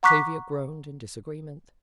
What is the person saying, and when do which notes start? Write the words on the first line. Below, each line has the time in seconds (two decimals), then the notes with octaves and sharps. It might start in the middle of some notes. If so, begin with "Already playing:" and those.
Tavia groaned in disagreement.
0.03 F#5 A#5 C#6 D6 F#6 B6